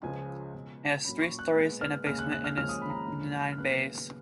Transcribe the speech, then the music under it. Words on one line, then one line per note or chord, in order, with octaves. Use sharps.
It has three storeys and a basement, and is in nine bays.
C#2 C#3 F3 G#3 G#5
C#2 B2 G#3
A#2 F#3 C#4 B5
C#6
F#6
A#2 G#3 B3
F6
D#2 C#3 G#3 F6
F#6
F#6
F6
D#2 C#3 F3 G#3 C#4 F6
D#6
B5
A#5
B5
D#2 C#3 F3 G#3
F6
D#2 C#3 F#3 B3 F#6